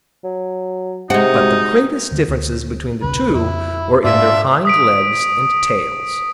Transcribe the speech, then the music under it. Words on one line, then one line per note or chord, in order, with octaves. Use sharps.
But the greatest differences between the two were in their hind legs and tails.
F#3
C3 G#3 D#4 F#4
D#2 D3
D2
D#1 B1 C#3 B4
F2 E4
G#2 D4 F4 D5 E5
D#6 B6 D7